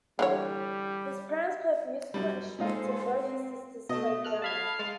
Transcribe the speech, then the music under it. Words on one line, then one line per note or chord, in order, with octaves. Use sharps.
His parents played musical instruments and both his sisters played piano.
D3 E3 G3 C#5
F#2 G3
A#2 G#3 D#4 F4 A4 C5
C4
B2 A3 D#5
A4 F6 F#6
F5 A5 B5 G#6
G#3 A5